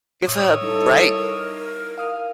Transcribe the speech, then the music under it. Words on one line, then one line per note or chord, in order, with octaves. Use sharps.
Give her a break!
A2 C#5 D#6 E6
G3 D#4 E4 A4
A#4
F5 D#6 F6